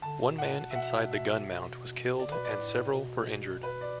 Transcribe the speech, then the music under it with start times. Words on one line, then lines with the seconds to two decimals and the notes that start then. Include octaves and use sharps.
One man inside the gun mount was killed and several were injured.
0.02 D3 A5
0.20 B2
0.38 A2 F#5
0.57 B2
0.71 E5
0.74 B2 F#5
1.11 E5
1.47 B2
2.20 B2 D5
2.27 D3
2.32 B2 B4
2.45 D5
2.55 A2
2.91 B2
3.63 B4
3.81 D5